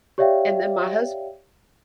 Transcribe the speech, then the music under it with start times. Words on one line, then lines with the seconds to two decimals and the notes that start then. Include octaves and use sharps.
And then my hus
0.18 G4 C#5 D5 E5 F5 G5